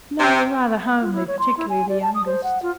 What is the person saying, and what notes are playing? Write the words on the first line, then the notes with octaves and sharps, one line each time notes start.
'No, rather homely, particularly the youngest.'
C3
F4
E4
C#5
C6
E4
G#5
D5
A5
D#6
C5
F#5
F4